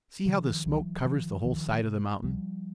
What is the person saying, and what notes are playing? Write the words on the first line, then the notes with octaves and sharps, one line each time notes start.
See how the smoke covers the whole side of the mountain.
C3 D#3 F3
C2 E3 F#3
C3 D#3 F3
C#2 D#3 F3
C3
C#2 F3 G3